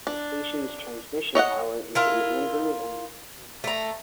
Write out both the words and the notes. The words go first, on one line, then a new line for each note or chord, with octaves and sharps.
The station's transmission tower is in Andrews and Midland County.
D4
C#5 D#5 E5 F#5
E4 F4 A#4
A3 A#5